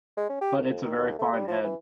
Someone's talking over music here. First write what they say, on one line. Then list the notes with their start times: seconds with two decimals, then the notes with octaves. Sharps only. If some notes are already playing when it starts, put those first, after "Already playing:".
But it's a very fine head.
0.17 G#3
0.29 C#4
0.41 G4
0.58 C2
0.70 F2
0.85 D#3
0.97 D#2
1.19 A3
1.32 G3
1.48 F3
1.64 E3